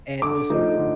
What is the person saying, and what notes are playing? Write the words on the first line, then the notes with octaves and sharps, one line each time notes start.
and it was so,
D3 D6
F3 A3 D#4
D3